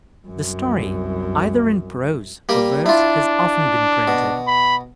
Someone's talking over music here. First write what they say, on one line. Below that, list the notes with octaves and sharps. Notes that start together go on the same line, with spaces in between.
The story, either in prose or verse, has often been printed.
C2 F#2
G3 A#3 G4
D4 E4 F4
B2
B5